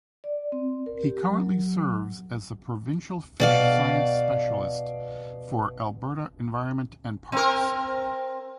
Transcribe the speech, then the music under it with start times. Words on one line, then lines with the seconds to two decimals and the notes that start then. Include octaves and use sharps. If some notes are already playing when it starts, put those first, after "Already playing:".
He currently serves as the provincial fish science specialist for Alberta Environment and Parks.
0.24 D5
0.52 C4
0.86 A#4
1.03 G4
1.23 F#3
3.40 B2 D5 F5
7.32 C4 A#4